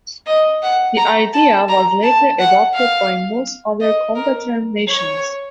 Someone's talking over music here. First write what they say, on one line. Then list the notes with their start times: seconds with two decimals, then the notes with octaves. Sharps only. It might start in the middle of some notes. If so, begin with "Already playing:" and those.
The idea was later adopted by most other combatant nations.
0.27 D#5
0.62 F#5
0.97 A#5
1.33 A5
1.68 A#5
2.03 A5
2.39 F#5
2.74 F5
3.81 D#5
4.15 A#4
4.87 C#5